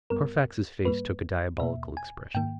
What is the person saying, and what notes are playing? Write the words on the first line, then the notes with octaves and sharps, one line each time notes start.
Carfax's face took a diabolical expression.
G2 G3 B3 A#4
G#2 G3 A#3 B4
E2 B2 A#3 E5
G#5
G#2 D#3 A#3 G5